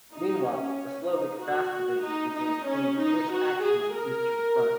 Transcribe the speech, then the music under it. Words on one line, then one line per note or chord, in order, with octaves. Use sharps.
Meanwhile, the Slovak Fast Division began seeing fierce action on the Eastern Front.
D#4
C#4
D#4
F#4
D#4
D#4
C#4
D#4
F#4
G#4
A#4